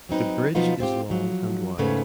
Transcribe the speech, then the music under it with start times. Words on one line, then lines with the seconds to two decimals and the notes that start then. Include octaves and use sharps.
The bridge is long and wide.
0.09 F#3 C4 D#4 B4
0.55 B2 F3 F#3 B3 D#4 F4
0.80 C4 F4 G4
1.10 F3 F#3
1.78 G#2 C#3 A3 B3 C#4